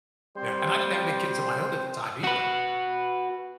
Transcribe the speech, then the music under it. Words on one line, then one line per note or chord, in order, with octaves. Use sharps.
Yeah, and I didn't have any kids of my own at the time either,
G3 C4 C5
F#4 B4